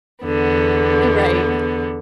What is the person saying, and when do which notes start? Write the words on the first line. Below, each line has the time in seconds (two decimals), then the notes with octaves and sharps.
You're right.
0.24 E2 D3 B3